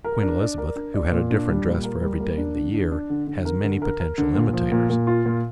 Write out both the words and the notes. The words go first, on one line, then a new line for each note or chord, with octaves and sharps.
Queen Elizabeth, who had a different dress for every day in the year, has many potential imitators.
A#4
D4
D5
A#4
D4
D5
A#2
D4
G3
A#2
A#4
G3
A#3
D4
D3
D4
D4
D3
D3
A#4
D3
A#4
A#4
D3
A#2
F3
A#2
A#2
F4
A#2